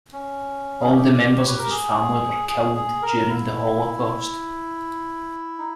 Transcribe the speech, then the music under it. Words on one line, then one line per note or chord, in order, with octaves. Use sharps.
All the members of his family were killed during the Holocaust.
C#4
G#4
G4
C#5
B4
A#4
G#4
G#4
G#4
A#4
E4
D#4